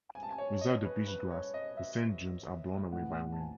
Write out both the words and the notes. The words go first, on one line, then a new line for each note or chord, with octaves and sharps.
Without the beachgrass, the sand dunes are blown away by wind.
G#5
A5
G#5
C#5
D#5
B4
B4
C#5
D#5
E5
A2 E3 F#5
A5
G#5